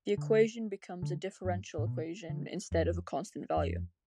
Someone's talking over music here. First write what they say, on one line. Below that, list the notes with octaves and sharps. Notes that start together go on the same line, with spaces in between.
The equation becomes a differential equation instead of a constant value.
D3
D3
G2
A2
B2
D3
F2
F2